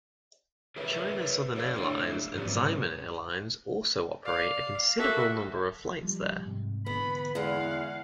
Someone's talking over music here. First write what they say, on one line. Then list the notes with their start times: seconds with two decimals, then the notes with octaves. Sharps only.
China Southern Airlines and Xiamen Airlines also operate a considerable number of flights there.
0.76 G4 A#4 B4 C#5 E5
1.55 G4 A4 C#5 D5 F5
1.75 A3 D4 E4 C#5
2.35 G#2 F3 G3 B3 C#4
4.25 D5 F5
4.98 A#3 F#4 A4 E5
6.03 F3 G3
6.46 G#2 C3
6.86 D3 E3 B3 B5
7.35 E2 G#3 F5 F#5